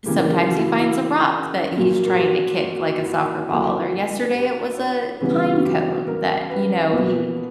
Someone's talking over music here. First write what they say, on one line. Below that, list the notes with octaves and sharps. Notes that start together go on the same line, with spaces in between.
sometimes he finds a rock that he's trying to kick like a soccer ball, or yesterday, it was a pine cone that, you know, he
C#3 E3 A#3 G4
A#4
G4
F#4
E4
E4
A#2 F#3 A#3 F#4
A#4
G4
F#4
F#4
E4
F#4
D3 F#3 A#3 E4
F#4
G4
C#5
C#3 E3 G3 B3 B4
F#4
G4
A#4
B4
B2 A#3 B4